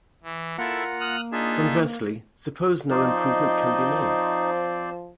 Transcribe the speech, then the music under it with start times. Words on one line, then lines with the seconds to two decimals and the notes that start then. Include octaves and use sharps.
Conversely, suppose no improvement can be made.
0.23 E3
0.58 A#3 E4 F4 A4 F#5 A#5
1.00 D#6 F6 F#6
1.32 D4 D#4 F4 G#4 E5
2.90 F3 C4 D#4 C5 D5 D#5